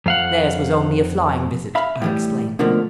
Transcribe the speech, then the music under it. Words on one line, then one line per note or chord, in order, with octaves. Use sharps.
"Theirs was only a flying visit," I explained.
F2 F5 F#5
E5 F5 B5
A2 E3 G3
B2 D3 F3 A3 A#3